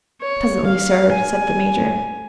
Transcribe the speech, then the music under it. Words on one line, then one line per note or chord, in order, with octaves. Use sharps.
"Presently, sir," said the Major.
C#5
F5
G#5